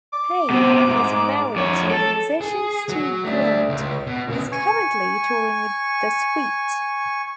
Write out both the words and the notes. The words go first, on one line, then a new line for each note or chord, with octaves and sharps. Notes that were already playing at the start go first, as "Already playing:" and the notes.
Payne is married to musician Steve Grant who is currently touring with The Sweet.
D6
B2 C4
G#2
F2 C#5
A4
G#4
F#3
A3 D4
C#2
B2
C#3 B3
G#5 C#6